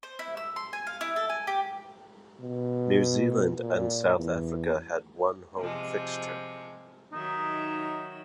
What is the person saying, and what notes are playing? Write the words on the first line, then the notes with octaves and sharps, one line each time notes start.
New Zealand and South Africa had one home fixture.
C5
E4
E6
C6
G#5
F5
E4
A4
G#5
G4
B2
A#2
E2
C3 F3 G#3
D#3 F#3 D#4 E5